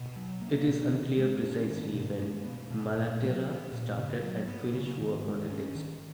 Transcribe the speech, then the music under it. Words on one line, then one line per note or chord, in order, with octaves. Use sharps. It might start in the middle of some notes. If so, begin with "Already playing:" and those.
It is unclear precisely when Malaterra started and finished work on the text.
Already playing: B2
F#3
A#3
B2
D#3
G#3
C#4
D#3
B2
G#3
B3
B2
A#2
F#3
B3
A#2
C#3
F#3
B3
C#3
D#3
G#3
C#4
D#3